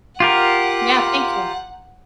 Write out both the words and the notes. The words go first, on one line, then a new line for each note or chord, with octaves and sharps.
Yeah, thank you.
F4 G4 A#4 F#5